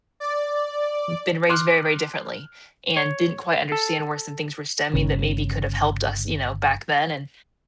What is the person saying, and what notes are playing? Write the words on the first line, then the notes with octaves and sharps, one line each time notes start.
been raised very, very differently and didn't quite understand where some things were stemming that maybe could have helped us, you know, back then," and
D5
C6 D6 F6 F#6
C#5
A4
G1 C#3